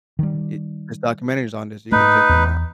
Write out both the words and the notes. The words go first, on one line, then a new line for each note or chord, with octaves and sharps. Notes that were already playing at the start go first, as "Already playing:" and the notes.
I there's documentaries on this. You can check them out.
D#3 G3
G#2 A3 D#4 B4
E2